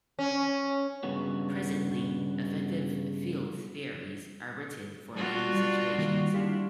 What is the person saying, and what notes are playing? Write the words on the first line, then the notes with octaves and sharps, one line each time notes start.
Presently, effective field theories are written for many situations.
C#4
G2 C#3 B3 F#4
G3 D4 F4 F#4
G3
D#3 A#3 A#6
D4 E4 G4 F5 C6 C#6